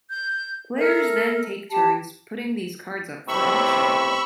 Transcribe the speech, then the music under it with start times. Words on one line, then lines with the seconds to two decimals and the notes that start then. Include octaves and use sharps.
Players then take turns putting these cards up for auction.
0.10 G6
0.77 A4 A#4 E5
1.70 G4 A5
3.28 B1 A2 C3 B5 C#6 E6